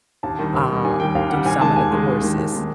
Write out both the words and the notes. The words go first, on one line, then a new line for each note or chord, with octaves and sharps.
um, do some of the courses.
D#2 A5
D#3 G3
D#2
D#3 G3
D#2 G#5
D#3 G3 G5
D#2 F5
D#3 G3 F#5
D#2 G#5
D#3 G#3 A5
D#2 G#5
D#3 G#3
D#2
D#3 G#3
D#2
D#3 G#3